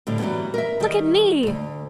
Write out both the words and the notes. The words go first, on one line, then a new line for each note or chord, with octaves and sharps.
"Look at me!"
A2 D3 G3
E3 F#3 G3 A3 B3
A#4 E5
D#3 G3
D2 G2